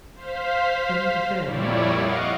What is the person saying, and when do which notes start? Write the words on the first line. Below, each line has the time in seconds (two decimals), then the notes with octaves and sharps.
"And then?"
0.14 C5 F5 B6
1.42 F2 A#2 G3 E4 C#5 D5
1.95 D#5 F5 F#5 C#6 D6